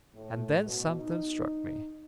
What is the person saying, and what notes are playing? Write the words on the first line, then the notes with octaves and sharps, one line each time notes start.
And then something struck me.
A2
B2
D#4